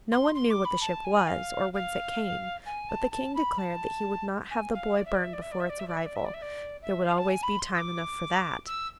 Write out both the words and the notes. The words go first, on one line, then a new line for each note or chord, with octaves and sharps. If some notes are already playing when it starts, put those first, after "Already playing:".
No one knew what the ship was, or whence it came; but the king declared that he would not have the boy burned before its arrival, there would always be time enough for that.
C6
C6
D6
B5
A5
G#5
F5
F5
G#5
A5
A5
B5
A5
G#5
F5
D5
E5
D5
E5
D5
E5
D5
E5
D5
E5
D5
E5
D5
E5
D5
E5
D5
E5
F5
A5
G#5
B5
C6
E6
D6
E6